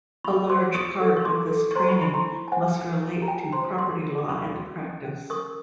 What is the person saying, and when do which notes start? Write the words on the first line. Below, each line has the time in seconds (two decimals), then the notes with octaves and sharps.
A large part of this training must relate to property law and practice.
0.24 F4 B5 C#6
0.49 C5 C6 D6
0.74 F4 C#6 D#6
1.00 A4
1.16 C#6
1.25 E4 C6 D6
1.51 A4
1.71 C#6
1.76 C5 A#5 C6
1.88 B5 C#6
2.01 E4 B5 C#6
2.14 A#5 C6
2.26 E4
2.48 A5
2.52 C5 F#5 G#5
2.77 E4
3.03 E4
3.22 A#5
3.28 F4 G5 A5
3.52 C5 A#5 C6
3.78 F4 C6 D6
4.04 F4
4.18 D6
4.29 C#4 B5 C#6
4.55 F#4
4.80 C#4
5.05 C#4
5.30 A#4 C#6 D#6